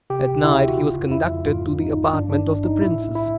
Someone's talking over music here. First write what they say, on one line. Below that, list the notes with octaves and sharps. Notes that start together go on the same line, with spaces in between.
At night he was conducted to the apartment of the princess.
C3 G4
D2
E4
D2
F#4
C#3 F4
F2
E4
F2
G#2 F4
A1
D#4
A1
G2 D4
D4
G1
G1
D#4
A2 E4
B1
E4